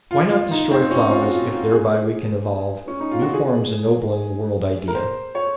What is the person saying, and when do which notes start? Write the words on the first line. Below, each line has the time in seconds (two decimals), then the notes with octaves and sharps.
Why not destroy flowers if thereby we can evolve new forms ennobling the world idea?
0.11 F4
0.30 F4
0.51 D#4
0.71 C4
0.91 C#4
1.11 F4
1.21 F#4
1.31 F4
1.52 F4
1.72 G#4
2.88 C#4
3.00 D#4
3.11 F4
3.22 F#4
3.33 G#4
4.88 A#4
4.95 C5
5.35 C#5